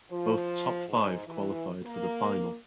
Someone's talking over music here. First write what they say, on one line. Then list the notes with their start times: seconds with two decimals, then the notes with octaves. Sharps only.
Both top five qualified for the final.
0.10 F3
0.88 G#2
1.26 E3
1.84 A#3